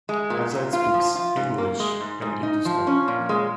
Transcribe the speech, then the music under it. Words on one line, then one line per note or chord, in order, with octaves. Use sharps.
Azad speaks English and Hindustani.
G#3
A#2
A#2
F4
F3
F4
G#2
A#3
G#3
G#2
G#2
D#4
F3
C#4
A#2
G#3